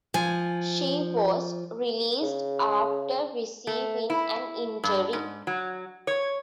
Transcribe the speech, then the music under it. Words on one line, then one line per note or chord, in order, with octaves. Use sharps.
She was released after receiving an injury.
F3 G#5
C#3
A3
E4
G2
G#2
F#3
C#5